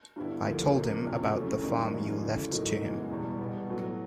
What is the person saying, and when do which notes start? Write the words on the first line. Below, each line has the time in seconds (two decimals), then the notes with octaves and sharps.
I told him about the farm you left to him.
0.16 G2 D3 G3 B3 E4
0.46 D2 D3 F3 A#3
0.76 C#2 C#3 F3 A#3
1.04 E2 C3 F3 A#3 C#4
1.34 C#3 F#3 A3 C#4 E4
1.62 F#2 D#3 G3 A#3 D#4
1.93 G#2 F3 G#3 C#4 F4
2.22 D2 C#3 E3
2.51 A2 F#3 A#3 D#4
2.81 F#2 C#3 E3 G#3 B3
3.10 E2 B2 G3
3.39 B2 G3 B3
3.69 A2 F#3 B3